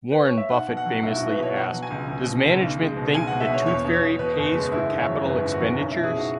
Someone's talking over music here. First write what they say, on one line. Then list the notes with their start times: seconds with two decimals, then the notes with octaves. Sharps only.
Warren Buffett famously asked: Does management think the tooth fairy pays for capital expenditures?
0.12 B4
0.25 C#5
0.38 E5
0.50 B1 F#5
0.68 B2
0.77 F#5
0.86 F#3
1.03 B1 E4
1.17 F#4
1.21 B1
1.29 B4
1.38 B2 C#5
1.55 B2 F#5
1.73 F#3
1.83 G#5
1.91 C#2
2.08 C#2
2.26 B2
2.43 C#2
2.61 B1
2.79 G#3
2.96 B2
3.14 B1 G#5
3.27 B2 F#5
3.40 E5
3.49 B2 C#5
3.66 E2 C#5
3.84 E2
3.93 C#5
4.02 E2
4.19 B2 B4
4.37 F#1
4.46 B4
4.55 G#3
4.72 G#1 E4
4.90 G#1
4.99 C#5
5.08 F#3
5.25 F#2 B4
5.43 G#1
5.52 F#4
5.60 F#3
5.77 B1 C#4
5.91 E4
5.96 B2
6.04 G#4
6.14 B1 F#4